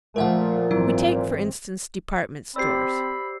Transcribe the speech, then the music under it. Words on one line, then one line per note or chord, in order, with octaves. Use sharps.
We take, for instance, department stores.
A#2 F3 A3 A#4 E5 F#5
G#1 E3 F#3 C4 E4
C4 G4 C5 D5 B5 E6 C7